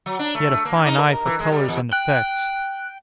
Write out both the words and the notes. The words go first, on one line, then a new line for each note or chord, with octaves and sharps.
He had a fine eye for colors and effects.
F#3
D4
A3
A3
A#3
D#4
A#4
E3
G#3
G3
E2
G5 F#6